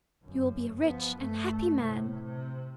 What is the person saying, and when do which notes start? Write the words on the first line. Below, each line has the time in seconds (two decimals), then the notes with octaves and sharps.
You will be a rich and happy man!
0.24 G1 F#2
0.81 F3 B3
1.16 G2 A3
1.78 A2 C3
2.23 C3